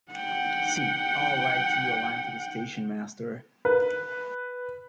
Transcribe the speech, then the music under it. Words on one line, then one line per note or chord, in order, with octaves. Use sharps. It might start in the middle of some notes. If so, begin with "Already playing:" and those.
See, I'll write you a line to the station-master.
F#5 G5
B4